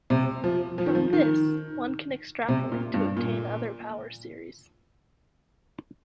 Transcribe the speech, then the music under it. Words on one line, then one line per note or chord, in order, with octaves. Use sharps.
From this, one can extrapolate to obtain other power series.
C3
F3
F3
D#3
F3
D#3
C3
A#2
G2
A#2